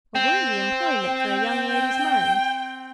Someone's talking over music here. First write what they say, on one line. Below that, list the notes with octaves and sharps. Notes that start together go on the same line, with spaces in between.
A worthy employment for a young lady's mind!
C4 G5